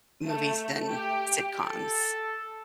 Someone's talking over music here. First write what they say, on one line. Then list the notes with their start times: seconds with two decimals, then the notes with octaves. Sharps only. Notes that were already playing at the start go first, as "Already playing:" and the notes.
movies and sitcoms.
0.25 A3
0.90 G4
1.65 A4